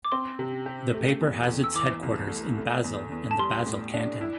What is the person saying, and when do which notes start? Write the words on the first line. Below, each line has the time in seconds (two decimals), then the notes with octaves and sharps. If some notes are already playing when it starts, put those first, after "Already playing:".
The paper has its headquarters in Basel and the Basel canton.
0.05 D6
0.12 C4 C6
0.39 C3
0.66 G4
0.94 A3
1.21 E2
1.48 E2
1.64 E6
1.75 E3 D6
2.03 C2
2.30 A3
2.57 A3
2.84 E2
3.12 E2
3.31 A5
3.39 G3 C6
3.66 A2
3.94 D4
4.21 E4